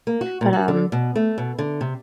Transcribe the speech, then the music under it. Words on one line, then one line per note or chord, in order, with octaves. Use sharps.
but, um,
A#3
F#4
A#2
F#4
D3
B2
A3
B2
D3
C3